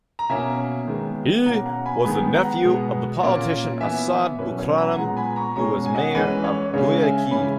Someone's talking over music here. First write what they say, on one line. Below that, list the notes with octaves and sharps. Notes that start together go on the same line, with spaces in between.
He was the nephew of the politician Assad Bucaram, who was mayor of Guayaquil.
A#5
B2 A#3 C#4 E5 G#5
D#3 G#3 B3
B2 A#3 C#4 F#5 A#5
F#5 A#5
G#5 B5
D#3 G#3 B3 G#5 B5
F#5 A#5
B2 G#3 B3
A#2 A#3 C#4
E3 B3 E5 G#5
B2 F#3 C#4 B4
C#5
F#5 A#5
A#2 G#3 B3 F#5 A#5
G#5 B5
A#5 C#6
B2 G#3 C#4 A#5 C#6
G#5
D#5 F#5
E3 G#3 C#4 B4
C#5
C#3 G#3 C#4 C#5
E5 G#5
C#3 E3 G#3 C#4 G#5 B5